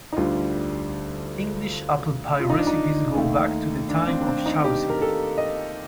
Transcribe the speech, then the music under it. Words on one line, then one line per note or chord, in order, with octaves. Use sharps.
English apple pie recipes go back to the time of Chaucer.
D#4
D2 D3 G3 F4
F4
D#4
D4
D#4
D#2 D#3 A3
D4
C4
D4
C4
D#4
G4
A#4
A4
D#5